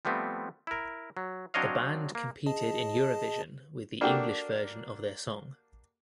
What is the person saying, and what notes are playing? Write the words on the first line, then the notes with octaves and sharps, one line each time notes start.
The band competed in Eurovision with the English version of their song.
F3 G3 A3 B3 C4
E4 A#4
F#3
F#3 C4 D4 C#5 D#5 F5
A#3
G#4 D#5 A5
A#3 D4 F#4 G4 A4 G5